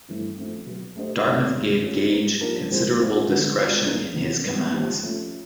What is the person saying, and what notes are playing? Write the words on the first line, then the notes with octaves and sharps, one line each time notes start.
Dartmouth gave Gage considerable discretion in his commands.
G2 E3 A3 C4
F3 A3 C4 D#4
B2 F#3 B3
A3 D4 G4 C5 D#5
F#2 D#3 F#3 A3 C#4
G2 D#3 G#3
A3 C#4 F4 G#4
G3 B3 D#4
F3 A#3 D4 G4 A#4
A2 F3 G#3 C4
A3 C4 F4
D3 F3 G#3 B3 D#4
G#3 C4 F4
A#3 D#4 G#4
E2 C3 E3
G#2 D#3 G3 B3
F3 G#3 C4 D#4 G4
F3 A3 C#4 F4